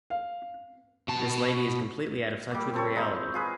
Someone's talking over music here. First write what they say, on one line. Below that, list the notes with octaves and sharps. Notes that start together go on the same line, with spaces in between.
This lady is completely out of touch with reality.
F5
B2 A5
A#2 G3
C4 A4 C#5
G#3 D#4 E4
F4 G#4 B4